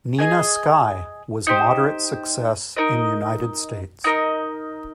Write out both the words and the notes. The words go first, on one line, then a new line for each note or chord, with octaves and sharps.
"Nina Sky" was moderate success in United States.
G#4 D#5 G#5
D#4 G4 C5
D#4 A#4 D#5
D#4 A#4 D#5